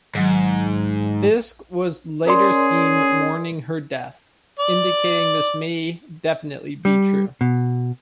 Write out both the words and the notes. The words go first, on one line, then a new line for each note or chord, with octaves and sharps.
Fisk was later seen mourning her death, indicating this may definitely be true.
G#2 D#3 F#3
C#4 G#4 A#4 D5 C6
D5
G3
B2